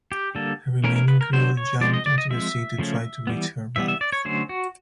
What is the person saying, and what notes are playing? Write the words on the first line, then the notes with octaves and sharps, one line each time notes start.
Her remaining crew jumped into the sea to try to reach her rafts.
G4
D3 G3 A#3 A4
E3 A3 C#4 A#4
A#4
B4
A#4
D3 F#3 B3 C5
C#5
F3 G#3 C4 D5
D#5
D5
D#5
F3 G#3 C4 E5
C#3 F3 A3 C#4
E3 G3 B3
E3 G3 B3 E5
E5
D5
C#5
D3 F#3 A3 C#4 C5
F#4